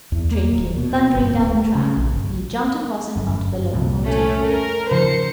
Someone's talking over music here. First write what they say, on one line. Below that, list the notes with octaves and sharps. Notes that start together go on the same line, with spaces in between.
The train came thundering down the track, and he jumped across in front of the locomotive.
E2
A#3
D#1
B2
G1
D1
A3
C#3
A#1
G1
G1 F#2
C2 F2 A#2
A3 C#4 A4
A#4
C#3 F3 C5 C#7